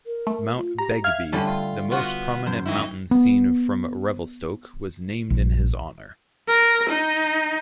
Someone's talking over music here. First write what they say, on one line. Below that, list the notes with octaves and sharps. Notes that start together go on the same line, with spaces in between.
Mount Begbie, the most prominent mountain seen from Revelstoke, was named in his honor.
A#4
A3
F4
G4 A#5
E5 F5 F6 G#6
D3 G3 A3 C#4
F4
B3 F4 F#4
F#2 C5
D#3 D#4 E4
B3
A#1
A#4
D#4